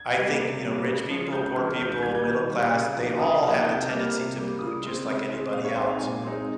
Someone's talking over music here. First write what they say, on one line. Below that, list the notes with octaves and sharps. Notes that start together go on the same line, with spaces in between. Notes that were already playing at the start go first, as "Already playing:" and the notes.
I think, you know, rich people, poor people, middle class, they all have the tendency to pollute just like anybody else, you know?
Already playing: G#6
G3 A#3
C3
G3 A#3
C#3
F3 G#3 C#4
C#3 G6
F3 G#3 C#4 F6
D#3 G6
G6
G3 A#3 G#6
G6
D#3
G3 A#3
C#3
F3 A#3 D#4
C#3 D#6
F3 A#3 D#4
C3 G6
G3 A#3 F6
C3
G3 A#3
C#3 D#6
G#3 C4
C#3
G#3 C4
A#2 F5
C#5
G#3 C4 D#4 C5
F5
A#2 G#5
G#3 C4 D#4